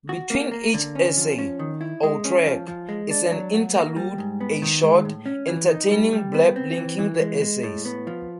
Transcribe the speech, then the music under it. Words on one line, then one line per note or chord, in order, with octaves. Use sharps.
Between each essay, or track, is an "interlude"-a short, entertaining blurb linking the essays.
F#4
A#3
A#3
D3
C#4
F3
C#4
D#3
E4
G#3
C#4
F3
F3
G#3
D4
F#3
F#4
A#3
G3
G#2
B3
D#3
G#3
A2
C#4
E3
D#4
G3
G3
B3
C4
E3
E3
G#3
G#3
A2
B3
F3